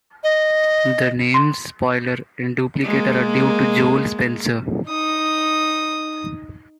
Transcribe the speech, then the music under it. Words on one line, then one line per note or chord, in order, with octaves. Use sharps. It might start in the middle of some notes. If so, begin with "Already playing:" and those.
The names Spoiler and Duplicator are due to Joel Spencer.
D#5
C6
G#3 A#3
D#4 D#6